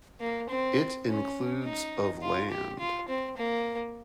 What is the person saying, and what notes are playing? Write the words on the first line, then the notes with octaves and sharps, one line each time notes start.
It includes of land.
A#3
C4
C#4
D#4
F4
G4
F4
C4
A#3